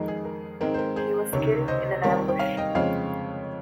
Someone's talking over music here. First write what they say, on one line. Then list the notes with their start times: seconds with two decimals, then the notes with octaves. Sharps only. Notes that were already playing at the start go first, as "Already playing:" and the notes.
He was killed in an ambush.
Already playing: F2 D#3 G#3 D#4 A#4
0.08 G#4
0.25 A#4
0.61 G#2 D#3 G#3 C4 A#4
0.74 C5
0.79 A#4
0.96 G#4 C5
1.33 C#2 C3 D#3 A#4 C#5
1.68 C5 D#5
2.03 D#2 D#3 G3 C4 A#4 C#5
2.28 G5
2.39 C#5 F5
2.57 D#5 G5
2.75 F2 C#3 G#3 C4 F4 C#5 F5